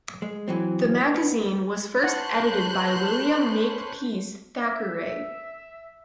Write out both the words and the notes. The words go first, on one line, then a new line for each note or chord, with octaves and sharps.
The magazine was first edited by William Makepeace Thackeray.
G#3
E3 F#3 C4
B3
C#4 B4 C5 F#5 A5 C6 F#6 G6
E5